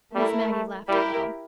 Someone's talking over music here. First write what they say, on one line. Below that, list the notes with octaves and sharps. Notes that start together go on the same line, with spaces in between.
Miss Maggie laughed a little.
G3 A3 E4 A#4
A3
G3 E4 G4 A#4